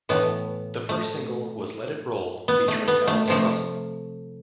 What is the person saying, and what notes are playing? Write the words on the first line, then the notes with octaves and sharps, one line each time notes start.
The first single was "Let It Roll", featuring Alice Russell.
A2 E3 A3 B3
A3
B3
A3
B3
A3
C3 F3 A3